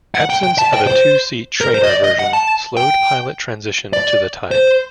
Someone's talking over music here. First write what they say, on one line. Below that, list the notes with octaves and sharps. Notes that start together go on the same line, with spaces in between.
Absence of a two-seat trainer version slowed pilot transition to the type.
F#5
G5
G5
A5
G5
C5
A#4
C5
D#5
D5
D#5
F#5
A5
G5
D5
C5